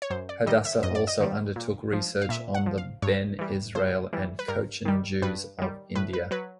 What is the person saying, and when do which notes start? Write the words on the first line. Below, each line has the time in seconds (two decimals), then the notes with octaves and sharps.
Hadassah also undertook research on the Bene Israel and Cochin Jews of India.
0.02 C#5
0.10 F#2 C5
0.29 D5
0.46 D#3 G3 D#5
0.65 E5
0.83 F#2 D#5
0.95 D5
1.07 D#5
1.20 D#3 G3
1.56 A#2
1.93 F3
2.22 F5
2.29 A#2 E5
2.54 F#5
2.66 F3
2.78 F5
3.02 G2 C#5
3.39 E3 G3
3.75 G2 C5
4.13 E3 G3
4.39 B4
4.48 G2 A#4
4.85 D#3 G3
5.22 G2 B4
5.59 D#3 G3
5.95 A2 B4
6.13 B4
6.31 F#3 B4